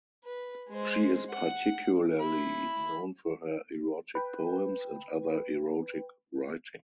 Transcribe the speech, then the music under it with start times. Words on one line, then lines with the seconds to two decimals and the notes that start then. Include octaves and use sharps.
She is particularly known for her erotic poems and other erotic writing.
0.24 B4
0.69 G#3 C5
1.30 F#5
2.21 E4 B5
4.15 B4 G5